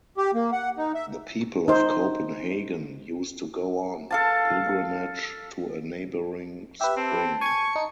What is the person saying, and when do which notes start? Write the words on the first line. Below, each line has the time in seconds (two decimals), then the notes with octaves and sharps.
The people of Copenhagen used to go on pilgrimage to a neighboring spring.
0.17 G4
0.34 A#3
0.52 F#5
0.77 D#4
0.94 E5
1.68 D#4 C5
4.11 A4 F5 A5
6.81 G4 B4 E5
6.97 C4 A5
7.41 G#5 C#6 G#6
7.73 D#4 C#7